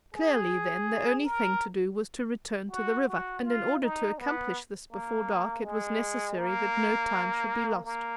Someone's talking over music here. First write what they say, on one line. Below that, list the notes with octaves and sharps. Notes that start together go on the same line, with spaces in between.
Clearly, then, the only thing to do was to return to the river; and in order to accomplish this before dark it was necessary that no time should be lost.
G#4
A#4
F#4
F#4
F4
D#4
B3
A#3
G#3
A#3
A#3